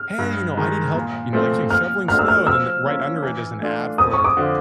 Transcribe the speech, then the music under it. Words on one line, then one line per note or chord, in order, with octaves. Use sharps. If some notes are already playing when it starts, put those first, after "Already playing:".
"Hey, you know, I need help," you know, like you're saying, "shoveling snow," and then the right under it is an ad for,
Already playing: F6
G2
D#3 G#3
A#2
F3 A3 C4
A#2 F6
F3 A3 D4 F#4 F6
E6
F6
F3 E6
A#3 C#4 F4
E3
A3 D4 F4
F2 D#6
C#6
D6
D3 F3